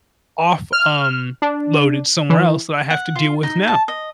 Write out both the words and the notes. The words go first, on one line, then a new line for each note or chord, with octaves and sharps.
off, um, loaded somewhere else that I have to deal with now.
F6
D4
E3
F#5
F4
D#4
A5
D#5